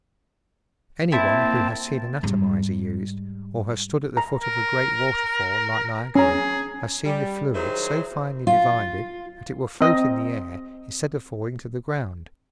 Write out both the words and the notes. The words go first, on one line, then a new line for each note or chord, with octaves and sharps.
Anyone who has seen an atomizer used or has stood at the foot of a great waterfall, like Niagara, has seen the fluid so finely divided that it will float in the air, instead of falling to the ground.
A#3 C4 E4 A5
G#2 G3
A#5
A#4
C#4 G#4 A#5
G3
D#3 F#3 E4 G#4 C5
F4
C4 D#5